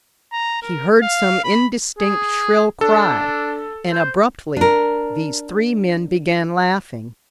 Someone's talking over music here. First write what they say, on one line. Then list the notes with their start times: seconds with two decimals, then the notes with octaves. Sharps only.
He heard some indistinct shrill cry, and abruptly these three men began laughing.
0.32 A#5
0.62 A#4
1.02 F5
1.44 B5
1.98 G#4
2.81 D4 A4
3.92 C5
4.57 D4 A#4